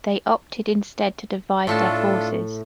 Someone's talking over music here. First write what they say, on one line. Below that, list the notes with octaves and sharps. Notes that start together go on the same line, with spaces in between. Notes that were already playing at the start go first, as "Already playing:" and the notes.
They opted instead to divide their forces.
A2 A3 D4 F4 A4 A5